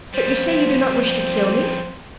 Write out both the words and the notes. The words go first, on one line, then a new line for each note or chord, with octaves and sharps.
"But you say you do not wish to kill me?"
F2 G3 C5